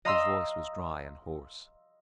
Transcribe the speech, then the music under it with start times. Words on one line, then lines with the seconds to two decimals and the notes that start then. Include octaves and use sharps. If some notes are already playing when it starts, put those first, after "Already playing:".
His voice was dry and hoarse.
0.05 D#5 F5 A#5 C6 D#6 E6